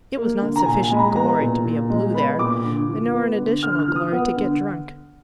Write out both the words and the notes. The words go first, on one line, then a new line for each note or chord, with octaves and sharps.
It was not sufficient glory to be a Blue there, nor an additional glory to get drunk.
A#3
D3
A#5
A#2 G#5
G#5
G#3 B5
A#5
G#5
B3 A#5
A#2
A#2
G#3
B3 B5
A#2 D6
D3
F3
B3
D3
D3 F6
F6
F3
D#6
B3 F#5
D3